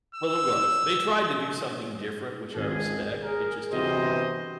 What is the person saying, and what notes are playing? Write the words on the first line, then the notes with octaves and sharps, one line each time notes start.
Well, it was. They tried to do something different, which I respect. It just didn't work.
E6
G#1 C#2 G#4
G#4 A#4
G1 C3 E3 F#4 C5 D#5